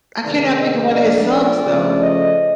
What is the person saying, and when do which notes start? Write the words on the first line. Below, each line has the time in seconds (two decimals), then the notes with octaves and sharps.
I cannot think of one of his songs though.
0.23 C3 D#3 G#3 B3 D#4 D5
0.59 D#5
0.94 A#2 F3 A3 D4 D5
1.30 D5
1.64 C#3 F3 A3 C#4
2.01 D#5